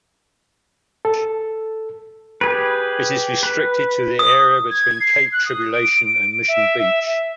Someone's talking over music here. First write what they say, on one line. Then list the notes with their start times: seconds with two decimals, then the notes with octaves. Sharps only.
It is restricted to the area between Cape Tribulation and Mission Beach.
1.05 A4
2.41 G4 G#4 B4
3.43 B4
4.19 D#6
4.71 G#6
5.01 C7
5.32 F#6
5.46 D#6
5.74 D7
6.48 E5
6.79 E5
7.05 E5